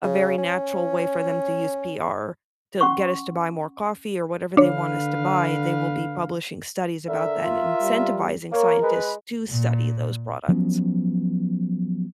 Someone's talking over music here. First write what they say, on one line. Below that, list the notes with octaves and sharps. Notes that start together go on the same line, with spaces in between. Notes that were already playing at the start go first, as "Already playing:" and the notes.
a very natural way for them to use PR to get us to buy more coffee or whatever they want us to buy, they will be publishing studies about that and incentivizing scientists to study those products.
C#3
C#4
C#4 F#5 C6 C#6
D3 D4 B4 C#5 F5
D3 A#4 E5
F4
G3
A#3 A#4 C#5
G#3 B4
A#2
F3 F#3 B3 C#4